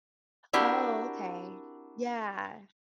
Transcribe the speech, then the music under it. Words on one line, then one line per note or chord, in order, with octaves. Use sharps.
Oh, okay. Yeah.
C4 D4 E4 F#4 G4 A#4